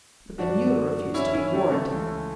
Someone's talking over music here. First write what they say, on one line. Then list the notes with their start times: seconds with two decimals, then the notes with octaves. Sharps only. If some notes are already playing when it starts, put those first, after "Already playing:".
But the mule refused to be warned.
0.38 F#2 D3 F#3 D4 F#4
1.14 C#4 E4
1.33 C#4 E4
1.53 A3 C#4
1.72 A3
1.91 C#2 C#3 E3